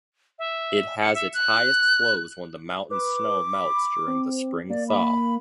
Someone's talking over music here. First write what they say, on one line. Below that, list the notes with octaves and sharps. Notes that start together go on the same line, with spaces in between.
It has its highest flows when the mountain snow melts during the spring thaw.
E5
C#7
E5
F#6
B4 D6
B5
C4
A#3 D5
B5